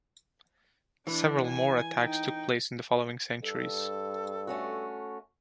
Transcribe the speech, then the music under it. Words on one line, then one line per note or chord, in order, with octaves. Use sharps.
Several more attacks took place in the following centuries.
E3 D4
G#5
D#4 G5
G2 A4
A3 C#4 F#4